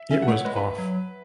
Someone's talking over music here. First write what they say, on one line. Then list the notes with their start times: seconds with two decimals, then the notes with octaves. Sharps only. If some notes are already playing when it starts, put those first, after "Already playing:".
It was off.
Already playing: E5
0.11 C#4 E5
0.22 F#5
0.28 A3
0.33 C#5
0.45 G#3 B4
0.56 B4
0.78 F#3